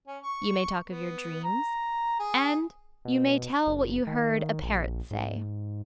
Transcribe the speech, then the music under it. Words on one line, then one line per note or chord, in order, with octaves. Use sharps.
You may talk of your dreams; and you may tell what you heard a parrot say.
C#4
C#6
B3
A#5
G#4
B2
F#1
D#3
A#1
G#2